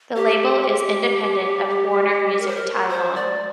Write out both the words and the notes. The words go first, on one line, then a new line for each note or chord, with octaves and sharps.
The label is independent of Warner Music Taiwan.
G4
A#4
C5
A#4
C5
D5